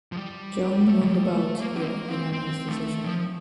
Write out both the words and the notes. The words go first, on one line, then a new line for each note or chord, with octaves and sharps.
Jung won the bout via unanimous decision.
F3
G3
A3
D#3
F3
G3
A3
A#3
C4
A#3
C4
C4
A3
F3